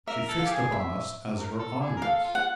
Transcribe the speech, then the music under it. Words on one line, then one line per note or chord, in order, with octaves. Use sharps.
She fixed upon us as her audience.
A#4 E5
A4
F5
G4
G#4
E5
A#4
A4
G#4
A#4
A4 F5
F4
F#5